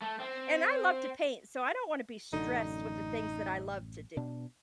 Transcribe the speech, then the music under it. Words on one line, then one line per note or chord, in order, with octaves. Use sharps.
And I love to paint, so I don't wanna be stressed with the things that I love to do,
A3
C4
A1 F#2 D3 D#4
B2 D4